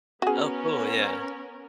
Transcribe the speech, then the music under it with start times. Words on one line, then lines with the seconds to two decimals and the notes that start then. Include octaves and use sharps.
Oh cool, yeah.
0.22 B3 C#4 F#4 G#4 A#4